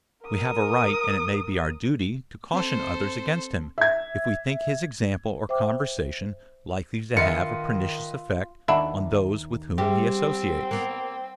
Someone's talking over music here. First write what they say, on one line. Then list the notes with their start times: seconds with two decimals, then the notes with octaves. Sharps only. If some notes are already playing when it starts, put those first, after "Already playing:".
We have a right, and it may be our duty, to caution others against him, if we think his example or conversation likely to have a pernicious effect on those with whom he associates.
0.24 A#4 D#6
2.54 C4 A4 C5
3.78 E5 G#6
5.49 C5 E5 G5 D6
7.17 D#3 F4 B4 D#5 E5 C#7
8.68 D#2 D4 E4 F#4
9.78 G3 C4 G4 G#4 G5
10.71 A#3 B3